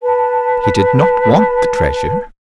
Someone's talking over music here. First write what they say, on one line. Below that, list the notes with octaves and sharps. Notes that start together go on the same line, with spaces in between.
He did not want the treasure.
B4 A5